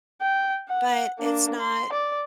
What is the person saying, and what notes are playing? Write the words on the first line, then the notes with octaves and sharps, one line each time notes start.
but it's not
G5
F#5
A#3 D4
C6
D5